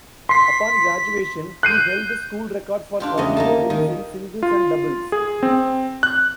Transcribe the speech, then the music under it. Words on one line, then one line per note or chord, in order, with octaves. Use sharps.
Upon graduation, he held the school record for career wins in singles and doubles.
C6 B6 C7
F#6 G6 C7 D#7
D4 F4 G4
E2 C#3 A3 D#5
A#3 D#4 A5
D#3
F4
G#4
C4
F#6